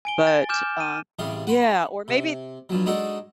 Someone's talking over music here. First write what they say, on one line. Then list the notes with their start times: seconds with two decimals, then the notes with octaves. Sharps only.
But, uh Yeah, or maybe
0.05 G#5 D7 G7
0.27 A6
0.49 G#5 D6 F6 G6 E7
0.80 D#7
1.19 A1 C3 G3 G#4 F5
1.47 F#5 B5 C6
2.08 C3
2.69 G2 F3 F#3
2.86 G#3 D4 D#4 F#4 G#4 A4